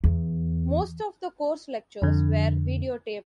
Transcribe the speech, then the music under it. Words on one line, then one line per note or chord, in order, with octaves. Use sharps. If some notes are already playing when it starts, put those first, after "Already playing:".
Most of the course lectures were videotaped.
E2
F2 D3